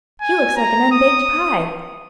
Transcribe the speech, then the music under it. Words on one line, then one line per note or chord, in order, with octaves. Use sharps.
"He looks like an unbaked pie!"
G#5
A#5
D#6